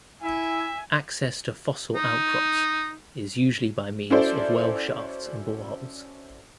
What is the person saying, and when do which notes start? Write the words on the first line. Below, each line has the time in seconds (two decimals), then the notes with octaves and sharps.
Access to fossil outcrops is usually by means of well shafts and boreholes.
0.22 E4 E5 G#5
1.95 D#4
4.10 C#4 E4 F#4 A4 C5 D5